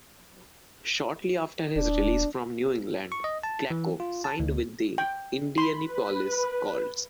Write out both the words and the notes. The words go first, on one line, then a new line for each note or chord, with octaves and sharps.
Shortly after his release from New England, Klecko signed with the Indianapolis Colts.
D#1 D4
C#6
D#5
A5
E3
F4
A5
D2
G5
B5 C6
B4